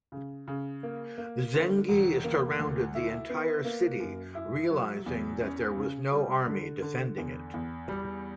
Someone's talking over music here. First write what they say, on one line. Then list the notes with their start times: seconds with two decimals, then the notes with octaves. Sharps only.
Zengi surrounded the entire city, realizing that there was no army defending it.
0.12 C#3
0.48 C#3
0.83 A#3
1.18 A#3
1.54 D3
1.89 E1
2.24 A#3
2.59 D2
2.95 E4
3.30 B3
3.65 A#3
4.00 F#2
4.35 E4
4.70 F#3
5.06 E2
5.41 C#4
5.77 C#3
6.12 G3
6.47 D3
6.82 D3
7.18 E2
7.54 E2
7.89 G3